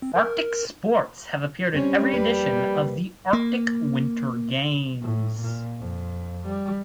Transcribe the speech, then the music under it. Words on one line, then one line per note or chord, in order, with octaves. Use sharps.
Arctic sports have appeared in every edition of the Arctic Winter Games.
C4
A#4
G3 C4 C#4 C#5
F2 A#3 B4
A#3
A2
A#2
F2
G3